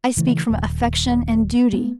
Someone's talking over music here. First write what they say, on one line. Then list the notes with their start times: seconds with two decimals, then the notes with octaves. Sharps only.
I speak from affection and duty.
0.17 C#3 E3 A3
0.50 D#1
1.73 A3 B3